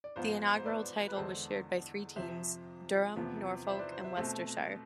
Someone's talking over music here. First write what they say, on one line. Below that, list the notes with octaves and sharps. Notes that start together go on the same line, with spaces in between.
The inaugural title was shared by three teams: Durham, Norfolk and Worcestershire.
D5
G#2 F3 B3 F4 C5
C5
B4 D5
B4
E2 D3 G#3 D4 A4 C5
F2 C3 F3 C5 E5
E2 C3 F3 B3
C5 E5
B4 D5
C5
C5 E5
B2 A3 C4